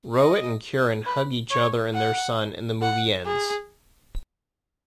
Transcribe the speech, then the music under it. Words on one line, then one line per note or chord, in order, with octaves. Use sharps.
Rohit and Kiran hug each other and their son and the movie ends.
D#5
B4
C#5
F#5
F#5
G#4